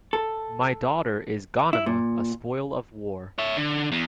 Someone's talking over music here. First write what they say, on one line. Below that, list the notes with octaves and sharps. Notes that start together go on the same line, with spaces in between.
My daughter is Ghanima, a spoil of war.
A4
E4
A#2
C#5 E5
D3
E2